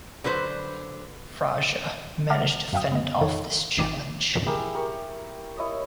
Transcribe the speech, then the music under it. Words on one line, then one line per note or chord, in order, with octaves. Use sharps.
Fraser managed to fend off this challenge.
D3 F#3 B4 C5
E5 F#5 A5 D6 F6
F#2 E5 F5 G5 D#6
B3 D#5
F2 D#3 A4 C#5
G#1 D#3 D6 D#7
E4 G4 G#4 A#4
G4 A#4 C#6
E4 C#5 D#5 D#6